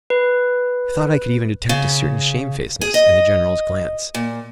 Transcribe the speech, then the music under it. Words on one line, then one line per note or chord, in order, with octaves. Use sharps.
I thought I could even detect a certain shamefacedness in the General's glance.
B4
C#3
G#4
D#5
A#2